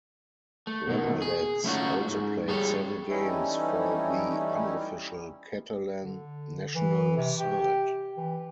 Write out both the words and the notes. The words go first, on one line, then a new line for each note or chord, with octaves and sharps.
Ramallets also played seven games for the unofficial Catalan national side.
A3
B2 D#3
G#4
A3 B3 C#4 D#4 F4 F#4
G#2
G3 G#4 A4 C#5
E3 G3 A3 C#4 D#4 E4
D3
E3
C3
G4
E3